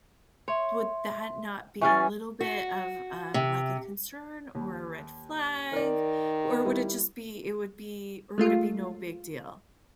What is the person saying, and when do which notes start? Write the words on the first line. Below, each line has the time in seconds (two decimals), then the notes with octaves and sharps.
would that not be a little bit of, um, like, a concern or a red flag? Or would it just be it would be or would it be no big deal?
0.48 C#5 E5 C6
1.81 E3 B3 C#4 C#6 F6 A6
2.41 F#4
3.34 C3
4.55 D#2
5.73 D#3 A#4 D5
6.65 G3 E4
8.38 G#3 A3 F4